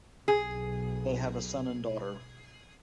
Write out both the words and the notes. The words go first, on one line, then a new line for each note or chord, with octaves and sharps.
They have a son and daughter.
B1 G#4